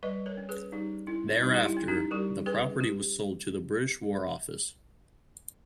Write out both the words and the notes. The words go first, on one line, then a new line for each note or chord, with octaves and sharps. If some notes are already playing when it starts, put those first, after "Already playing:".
Thereafter, the property was sold to the British War Office.
G3 B4 D#5
A#4 C#5
C#4
G#4 B4
G3 D#4 G4
C#4 E4
G3 D#4
G4
E4
C#4
D#4 G4
G3 G4 A#4
C#4 G#4 B4
G4